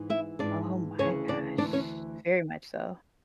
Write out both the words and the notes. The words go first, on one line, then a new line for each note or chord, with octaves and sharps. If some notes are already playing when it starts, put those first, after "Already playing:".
Oh my gosh, very much so.
Already playing: G#2 E3
E4 E5
G#2 E3 D4 D5
D2 C#3 E3 C#4 C#5
D4 D5
D2 C#3 E3 D4 D5
C#4 C#5